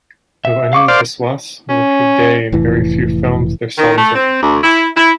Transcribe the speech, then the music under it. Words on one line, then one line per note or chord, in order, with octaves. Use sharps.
Though Anil Biswas worked with Dey in very few films, their songs remain famous.
E5
F5 C#6 D6
A#4 C5 D5 F5
C#4
F1 A2 E3
D#3
A3
C4
D2
E4
E4